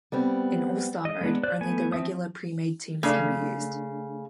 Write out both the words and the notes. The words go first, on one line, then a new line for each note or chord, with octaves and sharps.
In All-Star mode, only the regular pre-made teams can be used.
G3 B3 C4
D#5
G#3 B3 D4
C5 D5 F#6
A3 B3 G#5
F3 C4 E5 D#6
C#3 A3 D4